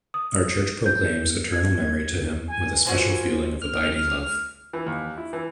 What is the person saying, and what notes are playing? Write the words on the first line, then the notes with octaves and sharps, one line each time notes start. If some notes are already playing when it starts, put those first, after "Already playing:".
Our Church proclaims eternal memory to him with a special feeling of abiding love.
D#6
G6
G#6
G#5
E3 F3 F#4 G#5
F6
E3
D#2
E4
E3